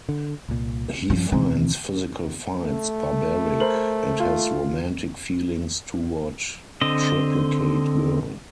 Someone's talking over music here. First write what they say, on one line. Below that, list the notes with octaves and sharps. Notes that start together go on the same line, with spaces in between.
He finds physical fights barbaric and has romantic feelings toward Triplicate Girl.
D3
C2 A#2
G2 F3 C#4
D2 B2 D#3 E3 C4
A3
A#4 C5 F#7
F4
D3 C4 D#5